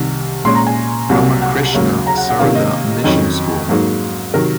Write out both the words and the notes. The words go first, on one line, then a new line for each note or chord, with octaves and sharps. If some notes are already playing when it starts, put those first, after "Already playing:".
Ramakrishna Sarada Mission School.
Already playing: C2 C3 D#3
A#2 G#3 C#4 C6
A#5
G#5
C2 C3 F#3 A#3
F#5
D#2 C#3 F#3 A#3
A#5
F#5
F#5
C3 D#3 A#3 C#4 F5
D#5
F2 D#3 F#3 C#4 D#5
G#2 F#3 A#3 D#4
C3 D#3 F#3 A#4